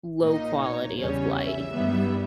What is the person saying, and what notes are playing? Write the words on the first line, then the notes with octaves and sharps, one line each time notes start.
low quality of life mhm.
A#2 A#3 D#4 D#5
C#5
E2 C#3 G3 C#4 C#5
E5
G2 D#3 G3 B3